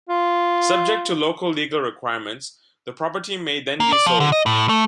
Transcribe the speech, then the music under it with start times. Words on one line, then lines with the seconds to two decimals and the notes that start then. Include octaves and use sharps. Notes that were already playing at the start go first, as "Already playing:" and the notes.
Subject to local legal requirements, the property may then be sold.
0.09 F4
3.80 A#3
3.92 D5
4.06 F3
4.20 D3
4.32 D#5
4.46 A2
4.69 A3